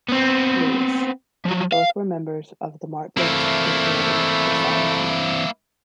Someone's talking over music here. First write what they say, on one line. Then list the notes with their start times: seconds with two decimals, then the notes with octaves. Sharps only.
Lewis: both were members of the Martlets Literary Society.
0.09 B3 C4
1.45 F3 F#3
1.72 F5
3.17 E3 A3 A#3 C4 E4